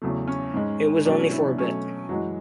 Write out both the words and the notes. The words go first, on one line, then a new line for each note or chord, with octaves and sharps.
It was only for a bit.
E2 C#3 F#3 A3
C#4
G#2 G#3
B2 F#3 A3 D4
C#4
E3 E4
D4
B2 F#3 A3 C#4
F#2 E3 F#3 G#3 F#4